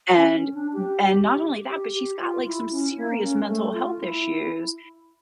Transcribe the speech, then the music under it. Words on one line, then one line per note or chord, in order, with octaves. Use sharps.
and w and not only that, but she's got, like, some serious mental health issues.
C#4
C#4
D4
G4
G4
G4
F4
E4
C#4
A#3
C#4
A3
F4
E4